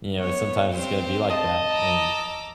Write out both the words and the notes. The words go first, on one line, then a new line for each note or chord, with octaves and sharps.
you know, sometimes it's gonna be like that and
B3 C#5
C4 G4 C5
D#5 A5
A#5 D6 E6